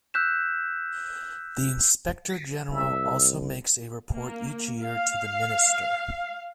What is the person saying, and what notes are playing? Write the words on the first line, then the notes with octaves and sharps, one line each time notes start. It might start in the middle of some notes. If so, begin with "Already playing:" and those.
The Inspector-General also makes a report each year to the Minister.
E6 F#6 G6 B6 E7
C2 E5
A#3
F5